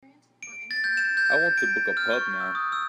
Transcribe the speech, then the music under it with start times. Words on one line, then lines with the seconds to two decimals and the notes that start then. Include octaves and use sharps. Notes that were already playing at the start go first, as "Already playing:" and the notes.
I want to book a pub now.
0.43 D7
0.71 A6
0.84 G6
0.97 E7
1.17 G6
1.57 D7
1.97 F6
2.13 C#6
2.40 E6
2.55 D#6
2.72 E6